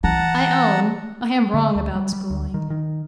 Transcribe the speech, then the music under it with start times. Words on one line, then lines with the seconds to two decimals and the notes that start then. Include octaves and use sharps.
'I own, I am wrong about schooling.
0.04 E3 F#5 A5 A#5
1.54 D3
1.76 D2
1.95 G3
2.13 G3
2.30 D2
2.54 D#3
2.70 D#3